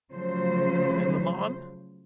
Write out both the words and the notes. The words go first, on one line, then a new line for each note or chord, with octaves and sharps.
"And La Mon?"
C#3 F3 F#3 A3 C5